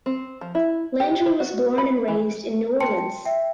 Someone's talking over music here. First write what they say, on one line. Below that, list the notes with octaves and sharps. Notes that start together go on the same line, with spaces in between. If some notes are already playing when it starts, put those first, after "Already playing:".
Landry was born and raised in New Orleans.
C4
F3
E4
G4
C5
F#4
B5
E3
G5 A5 C6 C#7
E5 G5